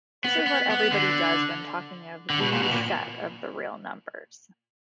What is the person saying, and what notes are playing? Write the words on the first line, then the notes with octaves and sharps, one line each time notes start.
This is what everybody does when talking of ""the" set of the real numbers".
B3
B3
B3
D3
D3
B2
A#2
B2
A#2